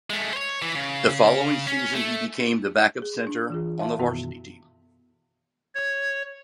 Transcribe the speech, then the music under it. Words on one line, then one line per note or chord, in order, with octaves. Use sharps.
The following season he became the backup center on the varsity team.
G#3 A3
C5 C#5
E3
C#3
C#4
A3
G#4
D4
E3 F4 G#4
E5 F5 A5 C6
F#2 B2 D#3 B3 E4 F#4
C#5